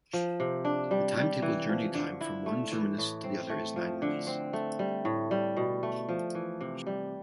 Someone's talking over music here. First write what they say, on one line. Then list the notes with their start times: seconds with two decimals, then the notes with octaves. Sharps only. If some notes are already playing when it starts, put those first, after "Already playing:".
The timetabled journey time from one terminus to the other is nine minutes.
0.13 F3
0.40 C3
0.65 D4
0.91 G3
1.17 G3
1.42 E3
1.69 F3
1.94 D3
2.21 E4
2.46 A3
2.72 E3
2.98 A2
3.24 C4
3.50 A3
3.76 F3
4.02 D3
4.27 C4
4.53 A3
4.79 G3
5.05 A2
5.31 G3
5.57 B2
5.83 A3
6.09 F3
6.35 E3
6.61 C3
6.87 G3